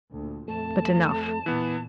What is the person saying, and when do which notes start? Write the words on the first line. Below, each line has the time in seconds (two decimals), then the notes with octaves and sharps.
But enough.
0.12 D2 A#2
0.48 F2 A3 A5
1.46 E2 A#2 E3 B3